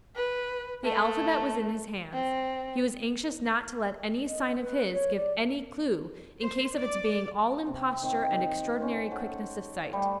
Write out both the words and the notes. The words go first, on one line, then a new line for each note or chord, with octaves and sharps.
The alphabet was in his hands; he was anxious not to let any sign of his give any clue in case of its being all imposture and extraordinary quickness of sight.
B4
A3
C4
D#5
B4
C#5
D5
C5
D5
C3
D#3 C4
D#4
C#4 C5
A4 C5 C#5 F#5
G3 A3 E5